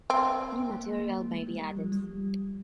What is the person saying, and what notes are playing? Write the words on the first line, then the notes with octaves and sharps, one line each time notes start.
New material may be added.
C4
A#3
G#3
G#3
G3
G3
F3
G3